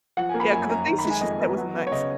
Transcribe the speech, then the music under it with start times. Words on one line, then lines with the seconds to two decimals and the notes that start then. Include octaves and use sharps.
Yeah, ‘cause the things that she said wasn't nice.
0.17 F3 F#5
0.29 A#3 G#5
0.40 B5
0.52 F#2 G#5
0.70 F#2 A#5
0.87 D#3 A#5
0.98 B5
1.04 G#3
1.10 G#5
1.21 F2 D#5
1.39 B3
1.57 F#3
1.74 B3
1.87 C#5
1.91 C#3 D#5